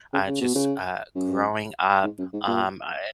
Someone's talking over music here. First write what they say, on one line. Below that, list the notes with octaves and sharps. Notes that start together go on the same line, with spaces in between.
uh, just, uh, growing up, um, I eh
C#3
C#3
B2
C#3
F#2
G#2
F#2
G#2
A#2